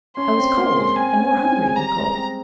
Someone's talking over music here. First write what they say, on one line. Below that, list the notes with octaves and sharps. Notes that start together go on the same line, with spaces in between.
I was cold and more hungry than cold.
C#4 C6
C4
A#3
G#3
C4 G#5
C#4
C4
G#3
G3 A#5
G#3
C4